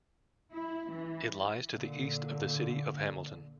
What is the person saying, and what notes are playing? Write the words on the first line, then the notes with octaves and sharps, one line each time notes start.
It lies to the east of the city of Hamilton.
E4
E3
A#2 D3